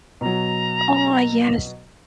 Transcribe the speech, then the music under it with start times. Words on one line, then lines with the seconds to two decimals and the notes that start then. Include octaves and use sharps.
Oh, yes
0.21 B2 F#3 A#5